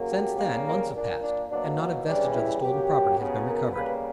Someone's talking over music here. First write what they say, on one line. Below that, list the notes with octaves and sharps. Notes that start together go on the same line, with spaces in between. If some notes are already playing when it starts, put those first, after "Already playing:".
Since then months have passed and not a vestige of the stolen property has been recovered.
Already playing: C#3 F#3 A#3
G4
C#3 G3 A#3
A#4
A#2 A#3 D4
D4
B2 F#3 A#3 D4
C#3 E3 G3 D4
E4
C#3 F#3 A#3 G4
C#3 F#3 B3
A#4
C#3 G3 A#3 B4